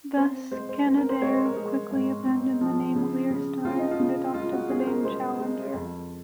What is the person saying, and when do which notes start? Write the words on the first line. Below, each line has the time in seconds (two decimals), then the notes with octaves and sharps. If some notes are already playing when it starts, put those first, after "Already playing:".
Thus, Canadair quickly abandoned the name "LearStar" and adopted the name "Challenger".
0.17 C4 C5
0.51 G#3 C5
0.69 C5
0.86 C4 C5
0.97 A#4
1.09 C5
1.21 G#3 C#5
1.33 C5
1.45 A#4
1.56 G#3 G#4
1.91 G#2
2.26 C4
2.61 F3
2.96 C#3
3.30 C#3
3.65 C#3 F4
3.79 D#4
3.91 F4
4.00 C#3
4.34 G#3 F4
4.52 F#4
4.69 C#4 G#4
4.80 C5
4.87 A#4
5.04 G#3 C5
5.40 G#3
5.74 F2